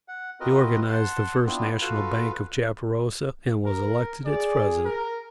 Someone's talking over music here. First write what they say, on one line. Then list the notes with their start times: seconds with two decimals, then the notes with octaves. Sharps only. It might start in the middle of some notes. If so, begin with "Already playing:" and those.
He organised the First National Bank of Chaparosa, and was elected its president.
0.08 F#5
0.40 C4 F4 F#4 A#4 B4 D#5
0.89 F#5 A5 C6
1.46 B3 C4 D4 E4 F4
1.81 F4 F#4 A4 B4 F5
3.66 A#4
4.25 G#4 D5
4.85 A#4